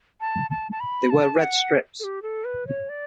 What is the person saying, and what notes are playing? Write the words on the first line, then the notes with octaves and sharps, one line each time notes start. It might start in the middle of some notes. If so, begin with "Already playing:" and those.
They wear red strips.
A5
A5
A5
B5
A5
F#5
A4
G4
A4
B4
C#5
D5